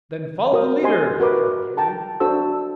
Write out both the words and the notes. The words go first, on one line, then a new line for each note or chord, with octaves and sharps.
"Then follow the leader," he cried gaily.
F#4 A#4 C5 D#6
G4 C5 D#5 G#5 C6
F#4 A#4 B4 D6
G5 A5 A#5
D4 F#4 A4 C5 E6